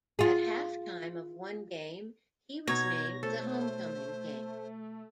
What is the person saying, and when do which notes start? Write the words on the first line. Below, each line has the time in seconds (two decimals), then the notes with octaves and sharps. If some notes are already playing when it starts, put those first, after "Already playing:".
At halftime of one game, he was named the Homecoming King.
0.19 F4 G#4
2.67 B2 D#4 C#5 G#6 A#6
3.23 A3 A4 C5